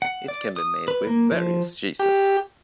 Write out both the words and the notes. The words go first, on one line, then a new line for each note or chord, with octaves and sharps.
It can be made with various cheeses.
F#5
D5
D#6
B4
A#3
F3
G4